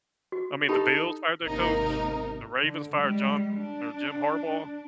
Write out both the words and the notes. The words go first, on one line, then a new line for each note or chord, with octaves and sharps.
I mean, the Bills fired their coach, the Ravens fired John or Jim Harbaugh.
F#4
D#4 G4 A4 A5 B5
G#1 C3 A#3 D#4 A#4
D3
G3 G#3
D4